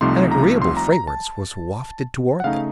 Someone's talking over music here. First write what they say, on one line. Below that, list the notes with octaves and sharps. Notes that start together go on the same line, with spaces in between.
An agreeable fragrance was wafted toward them.
C2 C3 F3 A3 D#4 C6
A#5
C6
A#5
A#5
A5
F#5
C#3 A3 D#4 F5